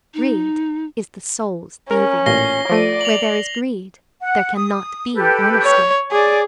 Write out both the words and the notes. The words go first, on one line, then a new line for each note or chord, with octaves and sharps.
Greed is the soul's thieving; where there is greed, there can not be honesty.
D#4
C#4 A#4
A1 A#2 A#6 C7 G7
F3 A3 D5 D#7
F7 F#7
F#5
D#6
G4 A4 B4
C#5
G#4 D5 G#5 D6